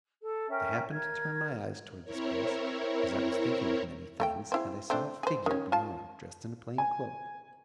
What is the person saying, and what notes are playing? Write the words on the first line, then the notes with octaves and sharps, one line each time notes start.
I happened to turn my eyes towards this place, as I was thinking of many things; and I saw a figure beyond, dressed in a plain cloak.
A4
C#4 A#4 E5 G5
A#4 G#6
C4 E4 A#4 C#5
A3 A#4 G5
C4 E4 G#4
A3 C4 D4
G#4 C5
D#3 C#4
F4 A5
G#5